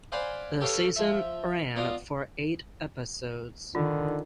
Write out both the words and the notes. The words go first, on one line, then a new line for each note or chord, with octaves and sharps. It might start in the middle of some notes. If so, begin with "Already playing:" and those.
The season ran for eight episodes.
C5 D5 F5 F#5 G#5 B5
G4 A4 B4 C#5 F5
F3 E5
B3 D4 F4 D#5 F5
D3 D#3 F4